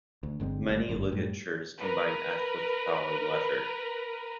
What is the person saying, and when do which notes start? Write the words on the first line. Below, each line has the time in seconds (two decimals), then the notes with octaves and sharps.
Many ligatures combine f with the following letter.
0.23 D2
0.40 G1 D3 G#3 C4
0.67 G#1 D2 G3 A#3
0.89 G1 F#2
1.12 F#2 A2 G3
1.78 A#4 B4